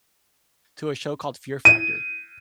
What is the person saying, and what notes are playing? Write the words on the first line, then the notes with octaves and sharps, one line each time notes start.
to a show called Fear Factor.
D#7